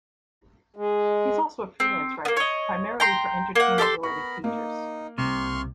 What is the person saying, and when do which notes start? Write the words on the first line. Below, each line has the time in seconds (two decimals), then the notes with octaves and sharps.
He is also a freelance writer, primarily for entertainment-related features.
0.76 G#3
1.80 C4
2.25 A#3 B3
2.37 C#5 D#5
3.00 G5 A#5 C6
3.55 A#3 F#5
3.78 G4 A4 E5 C6
4.03 B3 A#4 B5 C#6
4.44 A#3 D#4
5.18 C2 C3 C6 C#6 F6